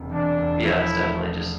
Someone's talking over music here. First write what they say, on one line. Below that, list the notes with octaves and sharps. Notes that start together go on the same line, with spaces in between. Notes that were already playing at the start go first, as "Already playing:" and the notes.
yeah, it's definitely just
Already playing: E1 C3
E2 D4
E1
F3 E4
A3